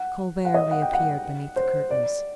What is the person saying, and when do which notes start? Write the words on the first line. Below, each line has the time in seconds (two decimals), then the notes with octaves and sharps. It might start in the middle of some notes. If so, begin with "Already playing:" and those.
Colbert reappeared beneath the curtains.
Already playing: F#5
0.45 F#5
0.54 D#5
0.71 F#5
0.82 G5
0.93 F#5
1.56 C5
1.90 D5